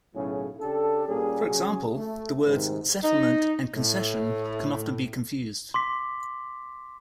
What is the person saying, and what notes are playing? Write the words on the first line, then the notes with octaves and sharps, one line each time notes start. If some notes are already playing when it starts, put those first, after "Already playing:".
For example, the words "settlement" and "concession" can often be confused.
B1 A2 C#3 F#3 C#4 G#4
C#3 D4 G4 A4
A#2 G3 A#3 C#4 G#4
C#3 F#3 C#4 G#4
A3
G#2 C3 D#3
D#4
A2
C6 D6 B6